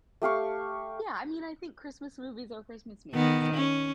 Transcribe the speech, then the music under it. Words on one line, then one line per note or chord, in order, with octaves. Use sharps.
yeah, I mean, I think Christmas movies are Christmas movies. Like,
A3 G4 F5 C#6
D#3 B3
C#4